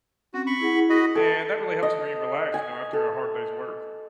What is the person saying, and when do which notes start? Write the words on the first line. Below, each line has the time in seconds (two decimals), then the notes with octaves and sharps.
And that really helps me relax, you know, after a hard day's work.
0.34 C4 C#4 F#4
0.47 B5 C#6
0.60 E4 G#4 F#5
0.90 F#4 D#5 B5
1.16 A4
1.83 D#5
2.54 G#5
2.93 A4